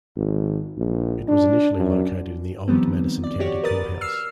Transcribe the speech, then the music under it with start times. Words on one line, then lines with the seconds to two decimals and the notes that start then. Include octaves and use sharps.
It was initially located in the old Madison County Courthouse.
0.17 G#1
0.78 A#1
1.28 D4
1.78 F#2
2.68 D#3 F3 G3 B3 C4
3.24 D5
3.40 F#4 G4 C#5 D5
3.63 A#4 B4 D5 D#6 A6
4.01 E6 F6 C7